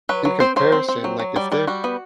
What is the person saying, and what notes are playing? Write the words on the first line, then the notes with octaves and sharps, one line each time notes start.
in comparison, like if they're
F#3 B4
F#3
C4 C5
F#3 C5
C4
C4
F#3
F#3
G3 D5
G3 D5
G3 F#4
B3